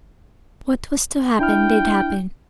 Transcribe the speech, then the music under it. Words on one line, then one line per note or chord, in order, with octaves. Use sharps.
What was to happen did happen.
D4 E4 G5 F6